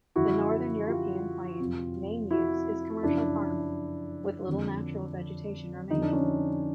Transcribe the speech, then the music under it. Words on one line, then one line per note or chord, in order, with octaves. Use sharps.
The Northern European Plain's main use is commercial farming, with little natural vegetation remaining.
F#2 D3 F3 E4 F#4
F4 G4
F2 C3 F3
E4 F#4
F#2 C#3 F3 D4 E4
F2 D3 F3
F2 D3 F3 D#4
D4
C#4 D#4